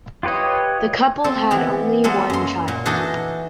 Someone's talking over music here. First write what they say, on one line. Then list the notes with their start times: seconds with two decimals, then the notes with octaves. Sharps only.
The couple had only one child.
0.23 F4 G4 B4 C#5 D#5
1.24 F3 C4 A4
1.51 E3 B3 G4
2.04 F#3 G#3 A#3 B3 A4
2.30 F#2 C6
2.68 A#2
2.86 E3 D4 D#4 F#4 A4 D#5